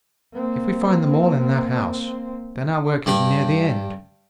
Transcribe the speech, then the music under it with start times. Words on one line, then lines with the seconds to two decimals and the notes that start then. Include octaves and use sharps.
If we find them all in that house, then our work is near the end.
0.33 A#3 C4
3.06 G2 D5 G5